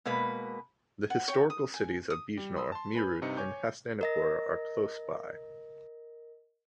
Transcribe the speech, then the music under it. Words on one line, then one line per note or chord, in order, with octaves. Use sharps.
The historical cities of Bijnor, Meerut and Hastinapur are close by.
B2 G#3 A#3 B4
F#5
C#5 G5
D#6
G#5
D#6
G3
B5 C6 D#6 E6
A5 C6
B4 G#5 B5 G6
G2 C3 D#4 C#7
C#5 G#5 C#6 D6 G6
A#4 D#5 A#6